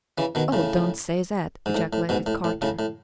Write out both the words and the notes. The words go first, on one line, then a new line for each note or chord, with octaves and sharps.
"Oh, don't say that!" ejaculated Carter.
C#3 E3
B2 D#3
A2 C#3
G#2
A2
A2
G#2 B2
A2
A2
A2 C#3
A2